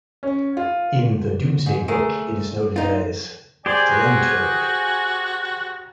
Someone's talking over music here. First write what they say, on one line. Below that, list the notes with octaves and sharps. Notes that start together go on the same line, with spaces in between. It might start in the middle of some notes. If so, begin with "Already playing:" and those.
In the "Domesday Book" it is noted as "Glentewrde".
C#4
F4
G#2
A3 G#4 A#4
D#4 F4
G4 G#4 C5 D5 G#5
F#4